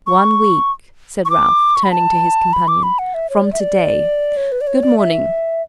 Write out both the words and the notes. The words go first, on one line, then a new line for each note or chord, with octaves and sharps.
'One week,' said Ralph, turning to his companion, 'from today. Good-morning.
C#6
C#6
D6
C#6
B5
A5
B5
D6
B5
F#5
E5
C#5
D5
E5
D5
C#5
B4
D5
C#5
D5
E5